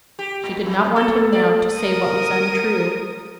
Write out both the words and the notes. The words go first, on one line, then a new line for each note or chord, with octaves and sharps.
She did not want him now to say what was untrue.
G4
A2
F2
A4
D5
A#4 D#6